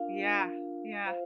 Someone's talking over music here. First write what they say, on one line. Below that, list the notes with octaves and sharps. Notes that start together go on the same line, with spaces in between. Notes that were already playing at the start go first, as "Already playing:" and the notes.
Yeah, yeah.
Already playing: D4 F4 A#4 F5
F4 C5 F5